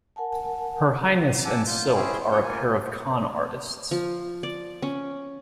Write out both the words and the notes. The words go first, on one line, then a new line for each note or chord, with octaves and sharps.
Her Highness and Silk are a pair of con artists.
A#4 F#5 G#5 A5
F#5 G#5 A5 D6 E6
F4 G6
C#4 E4 G#4 C5 G5
C#4 F4 C#5 F#5 G6
A#3 F4 G#5
F3
D5
C#4